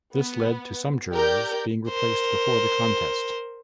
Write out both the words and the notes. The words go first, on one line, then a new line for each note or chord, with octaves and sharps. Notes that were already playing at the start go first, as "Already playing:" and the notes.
This led to some jurors being replaced before the contest.
B3
G4 A#4 D5 G6
A#4 C5